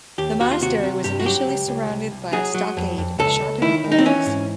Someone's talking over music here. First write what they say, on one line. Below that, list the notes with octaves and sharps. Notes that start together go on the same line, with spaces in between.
The monastery was initially surrounded by a stockade of sharpened poles.
D#2 G4
D#2 F#4
F4
C3 F#4
C3
G2 G4
F#4
F#3 G4
C#2
C#2
C2
C2
F#3 G#4
F#3
F2
F2
C#2 A4
C#2
D#3 E4
D#3
D#4
C4
E3 C#4
G#2